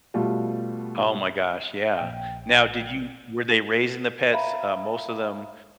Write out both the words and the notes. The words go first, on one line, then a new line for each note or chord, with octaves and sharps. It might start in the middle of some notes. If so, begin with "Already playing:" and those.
Oh my gosh, yeah. Now, did you were they raising the pets, uh most of them
B2 G3 A3 F4
A#1 G5
E5 F5 A#5 B5